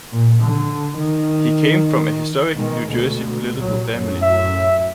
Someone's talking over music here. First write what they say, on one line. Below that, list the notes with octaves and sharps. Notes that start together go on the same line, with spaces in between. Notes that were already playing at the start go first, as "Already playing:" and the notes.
He came from a historic New Jersey political family.
A#2
D3
D#3
B2 D#3 G#3
D2 B2
C2 A#2 F#3
F#2 A2 F#3
E5